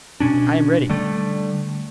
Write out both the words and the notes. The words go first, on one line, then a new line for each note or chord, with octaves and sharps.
"I am ready."
B2 C#4 D4
D3 G3 A3